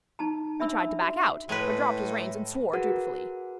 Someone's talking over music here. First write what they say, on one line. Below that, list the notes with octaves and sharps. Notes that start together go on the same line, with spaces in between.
He tried to back out, but dropped his reins and swore dutifully.
D#4 A5 A#5
D4 E5 B5 E6
F#4
A2 G#3 B4
F#4 G#4 A#4 B4 F#5